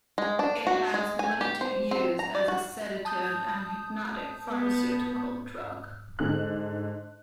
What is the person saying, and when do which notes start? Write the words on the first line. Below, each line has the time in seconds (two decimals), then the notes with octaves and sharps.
It has limited use as a sedative and hypnotic pharmaceutical drug.
0.18 G#3
0.39 D4
0.67 F#4
0.94 G#3
1.19 G#5
1.41 G4
1.61 C5
1.91 C4
2.19 A#5
2.35 D5
2.48 F#4
3.05 A5 D#6 G6
4.49 B3
6.19 G#2 D3 F#6